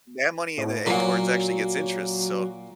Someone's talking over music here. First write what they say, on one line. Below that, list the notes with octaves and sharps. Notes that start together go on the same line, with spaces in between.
that money in the acorns actually gets interest, so
A2
A#2 F#3 A#3